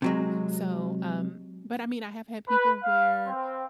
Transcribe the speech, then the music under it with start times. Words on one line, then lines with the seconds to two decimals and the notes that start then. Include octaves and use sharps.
so, um but, I mean, I have had people where,
0.02 C3 F#3 G#3
2.48 B4
2.83 F5
3.26 C4